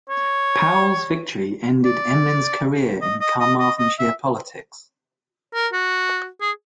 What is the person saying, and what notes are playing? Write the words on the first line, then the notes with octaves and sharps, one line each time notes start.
Powell's victory ended Emlyn's career in Carmarthenshire politics.
C#5
D5
D#5
D#5
D#5
D#5
D#5
E5
A#4
F#4
G#4